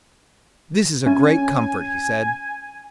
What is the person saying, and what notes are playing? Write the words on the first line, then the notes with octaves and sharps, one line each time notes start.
"This is a great comfort," he said.
C#4 G#5